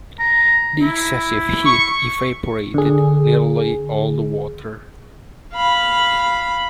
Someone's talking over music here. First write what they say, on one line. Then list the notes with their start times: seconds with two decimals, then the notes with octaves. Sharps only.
The excessive heat evaporated nearly all the water.
0.19 A#5
0.80 E4
1.63 C#6
2.74 D3 G#4
5.54 F5 B5